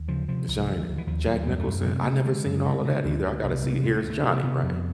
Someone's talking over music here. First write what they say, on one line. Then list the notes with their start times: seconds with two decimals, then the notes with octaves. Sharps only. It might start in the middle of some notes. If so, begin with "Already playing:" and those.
The Shining, Jack Nicholson, I never seen all of that either. I gotta see, "Here's Johnny," right?
Already playing: D#2
0.08 C#3 F3
0.28 C3 F3
0.48 C2
0.69 D2
0.88 D2
0.98 E3
1.07 D#2 F3
1.27 D#2 F#3
1.47 F#2 G3
1.60 A3
1.67 F#2
1.86 C3 G#3
2.01 C3 A#3
2.14 A3
2.25 D3 G#3
2.46 F#2
2.65 C#3
2.85 C#3
3.05 D2
3.25 D2
3.44 C2
3.64 C3
3.83 D2 G#3
3.97 A3
4.03 D2
4.10 A3
4.23 C3 B3
4.33 A#3
4.43 C3 B3
4.63 F2